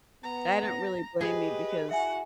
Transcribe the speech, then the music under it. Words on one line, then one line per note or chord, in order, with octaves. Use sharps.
I don't really blame you because,
B3 A#5
A#6
G4 G#4 B4 D#5
E4 F#4 E5 F#5 G#5